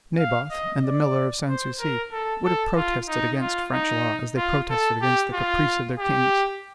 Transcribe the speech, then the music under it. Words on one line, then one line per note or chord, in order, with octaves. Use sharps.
Naboth, and the miller of Sans-Souci, would have protested against French law, as they protested against the caprice of their kings.
F5
D#5
D5
C5
A#4
A4
A4
F4
D#4
F4
D#4
F4
A4
G4
F4
G4